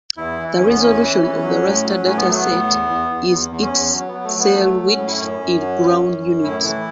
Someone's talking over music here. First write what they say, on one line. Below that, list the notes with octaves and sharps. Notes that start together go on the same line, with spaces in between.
The resolution of the raster data set is its cell width in ground units.
E2 E4
E3
E4
E2 C#4
B3
E2 C#4
E3
E3
F#3
A2
F#3
A2 C#4
B3
F#3 A3
B3
A2
E2
E2
E2
E2
E2
C#4
E2
F#3
B3
F#3
A3
F#3 B3
F#3 A3
F#3
C#4
A2
E4
F#2 C#4
F#2
F#3
F#2
F#2
F#2
A2 E4
E3